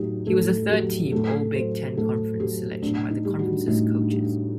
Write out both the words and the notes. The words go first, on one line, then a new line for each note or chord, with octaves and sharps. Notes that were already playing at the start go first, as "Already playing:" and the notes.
He was a third-team All-Big Ten Conference selection by the conference's coaches.
Already playing: A2 F#3 D#4 G4
A2 A4
F#3 G4
A2 A4
F#3 C5
A2 A4
F#3 G4
A2 D4
D#4
G3
F#4
A2 D#4
G3